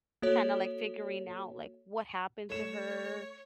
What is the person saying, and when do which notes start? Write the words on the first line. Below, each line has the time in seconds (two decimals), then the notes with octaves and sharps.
kind of, like, figuring out, like, what happened to her
0.22 A#3 F#4 A4 C#5
2.50 A3 C#5 E7